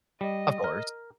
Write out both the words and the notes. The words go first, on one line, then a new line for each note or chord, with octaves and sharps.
Of course.
G3 D#5
A#4